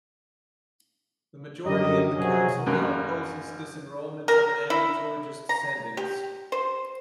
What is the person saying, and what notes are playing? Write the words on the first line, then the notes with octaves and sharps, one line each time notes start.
The majority of the council now opposes disenrollment of Annie George's descendants.
F#2 D3 G4 A#4 D#5
C3 F#3 G#4
A1 F#2 C#3 A#3 A#5 F#6
A#4
E4
A#5
G4
C5